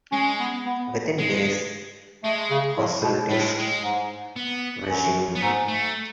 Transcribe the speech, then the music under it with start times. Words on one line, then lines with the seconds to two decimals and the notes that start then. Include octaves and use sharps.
Within days, hostilities resumed.
0.12 G#3 C#4
0.40 B3
0.65 B3
1.18 G#3
2.24 G#3 A3
2.51 C#3
2.78 A2
3.03 B2
3.29 A2 A3
3.40 G#3
3.60 G#3
3.83 G#2
4.36 B3
4.88 F#2
5.35 B3
5.42 G#2 A3
5.68 A3